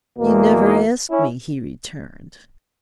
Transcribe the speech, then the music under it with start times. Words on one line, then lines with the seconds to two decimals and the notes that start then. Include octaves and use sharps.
"You never asked me," he returned.
0.17 E2 B2 A#3
0.64 D#4
1.11 C#4 E4